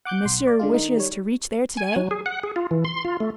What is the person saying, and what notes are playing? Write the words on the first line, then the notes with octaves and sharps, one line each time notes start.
"And Monsieur wishes to reach there to-day?"
F#5 D6 F#6 G6
B1 C6
D5
D3 G#3 F4
D#3 D#4
G3 C#5
G#5
F#3
G#4
F#5
G#4
F4
E3
C6
F4
A3